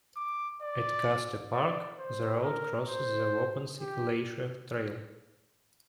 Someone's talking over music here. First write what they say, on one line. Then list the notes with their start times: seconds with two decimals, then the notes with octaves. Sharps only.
At Custer Park, the route crosses the Wauponsee Glacial Trail.
0.17 D6
0.62 D5
1.52 D5
1.99 C5
2.43 A#4
2.90 C5
3.80 G4